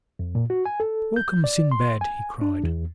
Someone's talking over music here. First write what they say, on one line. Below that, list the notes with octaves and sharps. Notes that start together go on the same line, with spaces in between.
"Welcome, Sindbad," he cried.
F2
A#2
F#4
G#5
A4
G6
D5
C6
G#5
D4
E2